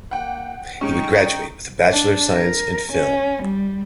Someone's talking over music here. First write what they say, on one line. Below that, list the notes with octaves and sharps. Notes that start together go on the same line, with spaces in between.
He would graduate with a Bachelor of Science in Film.
A#3 F#5 G5
G#3 C#4 D#4 G5 C#6
D4
A#4
C#4
G3